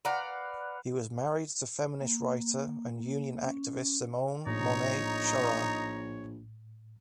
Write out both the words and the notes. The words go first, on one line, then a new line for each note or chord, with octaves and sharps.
He was married to feminist writer and union activist Simonne Monet-Chartrand.
B4 D5 F5 F#5 A#5
A#3
C#4
A#1 A2 D#4 C#5 A#5